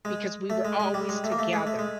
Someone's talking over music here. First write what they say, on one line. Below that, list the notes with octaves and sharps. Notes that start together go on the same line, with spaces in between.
because we were always together.
G#3
A3
G#3
G#3
G3
G#3
A3
A#3
A3
G#3
A3
G#3